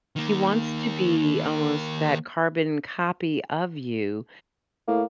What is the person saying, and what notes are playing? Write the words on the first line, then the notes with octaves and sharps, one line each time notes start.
he wants to be almost that carbon copy of you
D#3 A#3
A2 A#3